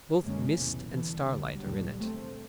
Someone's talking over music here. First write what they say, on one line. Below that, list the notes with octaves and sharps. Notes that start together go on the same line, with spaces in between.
Both mist and starlight are in it.
F#2 A#2 D3 G#3 A#3 C#4
B1 E2 A2 C3
E2 D3 E3
D2 D3 G3
C#2 A#2 D3 F#3 G3
A#1 A3 C4